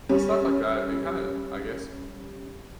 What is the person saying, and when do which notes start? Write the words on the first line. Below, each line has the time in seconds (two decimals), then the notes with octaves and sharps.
stuff like that, it kinda, I guess,
0.09 G3 C#4